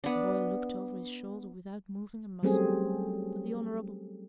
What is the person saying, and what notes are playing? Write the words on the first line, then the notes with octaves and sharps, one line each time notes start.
The boy looked over his shoulder without moving a muscle, but the Hon.
B3 D4
F#3 G3 A3 C4 C#4 G#4